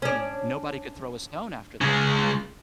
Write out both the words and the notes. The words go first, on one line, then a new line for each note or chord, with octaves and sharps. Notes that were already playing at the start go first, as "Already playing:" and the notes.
you know? Nobody could throw a stone after that,
C#4 D4
C#3 G#3